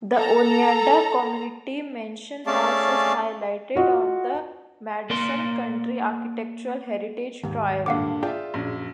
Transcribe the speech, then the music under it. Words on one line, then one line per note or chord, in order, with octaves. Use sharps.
The Oneida Community Mansion House is highlighted on the Madison County Architectural Heritage Trail.
A4 A#5
A3 C#4 G#4 D5 F5 A5
F4 F#4 D#5
A#3 D5 C6
D#2 G#2
G2 A#2 D3 F5 F#5 D6
F4 G#4 D5 E5 G5
A#1 F#2